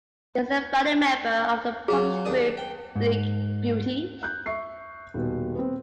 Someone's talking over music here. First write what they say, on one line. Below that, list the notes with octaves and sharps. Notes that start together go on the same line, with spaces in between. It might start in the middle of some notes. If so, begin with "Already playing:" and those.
He is the founding member of the publishing group Bleak Beauty.
F#3 F4 G#4
D#2 D5 D#6
G5
G#2
F#6 G6
E5 C#6 C7
D#1 B2
B3 C4